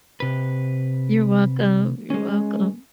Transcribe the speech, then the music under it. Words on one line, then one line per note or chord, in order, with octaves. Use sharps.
You're welcome. You're welcome.
C3 B4
G#3 C#4